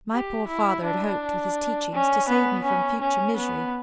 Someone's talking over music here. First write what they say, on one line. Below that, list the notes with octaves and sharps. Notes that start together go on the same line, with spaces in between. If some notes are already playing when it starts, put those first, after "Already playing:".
My poor father had hoped, with his teachings, to save me from future misery.
G4
E4
D4
C#4
B3
C#4
C#4
B3